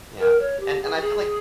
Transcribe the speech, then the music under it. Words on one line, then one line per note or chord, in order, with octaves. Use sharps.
yeah, and and I feel like
A#4
C#5
G4
G#4
G4
G#4